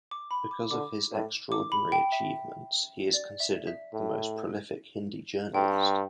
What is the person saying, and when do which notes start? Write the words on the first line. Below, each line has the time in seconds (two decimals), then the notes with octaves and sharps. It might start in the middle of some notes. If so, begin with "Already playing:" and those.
Because of his extraordinary achievements, he is considered the most prolific Hindi journalist.
0.11 D6
0.31 B5
0.51 D6
0.71 D3 D6
1.12 A2
1.52 D6
1.72 B5
1.92 G5
2.12 E5
3.14 D5
3.40 E5
3.67 E5
3.93 A2
5.54 G2 G5